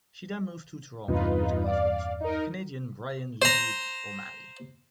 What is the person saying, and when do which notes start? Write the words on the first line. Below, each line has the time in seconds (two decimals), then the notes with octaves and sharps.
She then moved to Toronto with her husband, Canadian Bryan Lee O'Malley.
1.08 E2 G2 C3 D#4 F4 B4
1.64 D5 F5
2.20 D#4 A#4
3.42 C5 A#5